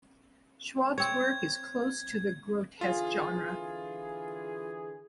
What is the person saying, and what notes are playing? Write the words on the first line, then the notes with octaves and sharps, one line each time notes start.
Schwab's work is close to the grotesque genre.
C4 C#5 G#6
D3 E3 F4 G#4